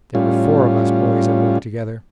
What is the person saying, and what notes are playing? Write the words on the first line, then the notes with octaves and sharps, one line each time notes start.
There were four of us boys at work together.
A2 G3 C#4 F4